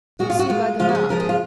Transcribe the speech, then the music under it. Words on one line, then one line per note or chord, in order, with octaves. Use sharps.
You see by the map.
A#2 G#3 F#4
F4
F#4
A#2 G#3 F4
C#3 F3 G#3 F4
F#4
G#4
C#3 F3 G#3 A#4
G#4
F4